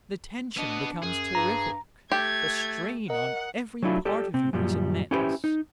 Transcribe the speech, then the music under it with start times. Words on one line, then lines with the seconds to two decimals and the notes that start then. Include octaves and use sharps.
The tension becomes terrific, the strain on every part of you is immense.
0.57 B3 D4 D#5
1.03 F#2 G#4
1.35 G2 A#5
2.12 A3 G4 G#6
3.10 A#4 D#5 F#5
3.82 F#3 A3 D4 E4 F4
4.05 G4 A4 D5
4.34 C3 C4
4.53 F#2 A#2 F3 G3
5.11 C#4 E4 G4 G#4 B4 C5
5.44 D#4